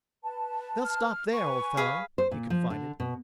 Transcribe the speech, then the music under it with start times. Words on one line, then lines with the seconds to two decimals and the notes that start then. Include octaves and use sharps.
"They'll stop there, old fellow," he confided.
0.23 B4 A5
0.84 F6
1.33 B4 G#5 C#6
1.77 G#4 F5 B5
2.18 C5
2.31 A#2
2.50 F3
2.70 D3
3.00 B2